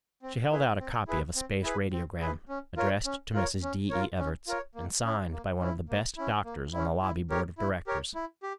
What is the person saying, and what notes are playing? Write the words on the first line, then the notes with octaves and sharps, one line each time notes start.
She held out a copy of a space radiogram, addressed to Mrs. D. E. Everts, and signed by one of the best doctors on the Lobby Board of Directors.
C4
E4 G#4 B4
C4
E4 G#4 B4
C4
E4 G#4 B4
C4
E4 G#4 B4
C#4
F4 A#4 C#5
C#4
F4 A#4 C#5
C#4
F4 A#4 C#5
C#4
F4 A#4 C#5
A#3
C#4 E4
A#3
C#4 E4
A#3
C#4 E4
A#3
C#4 E4
E4
G4 A#4 C#5
E4
G4 A#4 C#5
E4
G4